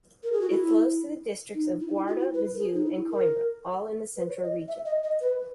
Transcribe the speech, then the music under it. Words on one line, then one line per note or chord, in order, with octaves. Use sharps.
It flows through the districts of Guarda, Viseu and Coimbra, all in Centro Region.
A#4
G#4
F#4
E4
D#4
E4
D#4
E4
F#4
E4
B4
A#4
G#4
D#4
E4
A#4
B4
C#5
D#5
E5
D#5
D#5
B4